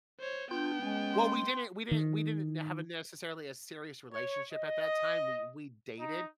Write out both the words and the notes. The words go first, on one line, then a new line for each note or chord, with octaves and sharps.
Well, we didn't we didn't we didn't have a necessarily a serious relationship at that time, we we dated,
C5 C#5
B3 D4 F4 G5 G6
G#3 C#4
C6
D#3
C#5
D#5
D#4